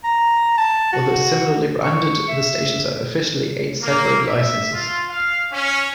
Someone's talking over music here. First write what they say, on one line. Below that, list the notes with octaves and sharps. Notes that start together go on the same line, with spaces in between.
Although similarly branded, the stations are officially eight separate licenses.
A#5
A5
F#4
C#6
E5
A#3
E5
F4
F5
C#4